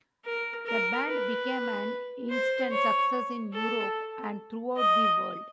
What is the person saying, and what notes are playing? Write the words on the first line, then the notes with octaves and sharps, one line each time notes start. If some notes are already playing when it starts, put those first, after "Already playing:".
The band became an instant success in Europe and throughout the world.
A#4
A#4
B4
C5
C#5
A4
D#5